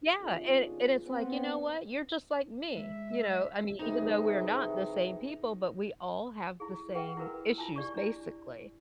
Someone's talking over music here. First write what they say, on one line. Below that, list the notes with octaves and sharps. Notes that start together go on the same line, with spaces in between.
Yeah, and and it's like, "You know what? You're just like me." You know? I mean, even though we're not the same people, but we all have the same issues, basically.
D#2 B2 C#4 D4 F4 G#4
B3 C4
G#3 E5
C3 E3 D#4 G#4
E4 G#4
G#4 B4 E5 F#5 G5
E4 F#4 A#4 B4
E4 F4 G#5 A5
G4 D5 C#6
D4 E4